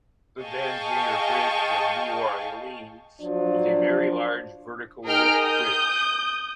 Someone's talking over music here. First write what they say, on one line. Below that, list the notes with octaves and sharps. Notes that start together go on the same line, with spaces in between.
The Danziger Bridge of New Orleans is a very large vertical lift bridge.
G#4 D#5 F5 G5 A5 C#6
F3 F#3 D4
D#4 G#4 A#4 G5 F6 D7
D#6 G6